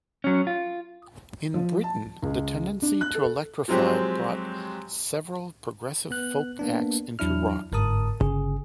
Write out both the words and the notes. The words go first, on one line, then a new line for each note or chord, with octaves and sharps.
In Britain the tendency to electrify brought several progressive folk acts into rock.
F#3 C#4
F4
F3
A5
C#2
D4
F#6
A4
F3 F#3 G#3 C4 G4
B3 F#6
A#3 B3 D4
E2 F#3 D4 E4 F6
G1 G#2 A#4 A5 D#6
G1 C#3 G#4